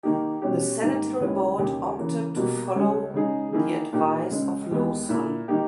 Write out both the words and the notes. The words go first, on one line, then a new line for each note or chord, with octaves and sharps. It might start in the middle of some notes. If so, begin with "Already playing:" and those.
The Sanitary Board opted to follow the advice of Lowson.
D#3 A#3 D#4 G4
B2 G3 C#4 G4
G#2 D#3 G3 A#3
D#2 C#3 G#3 C#4 E4
D#2 C#3 G3 C#4 G4
C#3 E3 A#3
B2 G3 A#3
C#2 C#3 G3 C#4
C#3 G#3 D#4 G#4
D#3 A#3 E4 G#4
A#2 A#3 D#4 G4
C#2 C#3 G#3
D#2 D#3 G#3 B3
A#2 A#3 E4
D#3 G3 A#3 D#4 G4